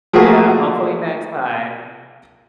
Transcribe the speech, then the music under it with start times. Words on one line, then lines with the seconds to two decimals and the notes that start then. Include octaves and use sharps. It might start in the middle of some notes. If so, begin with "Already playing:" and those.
Yeah, hopefully next time.
0.13 F3 A3 A#3 F#4 G#4 A#4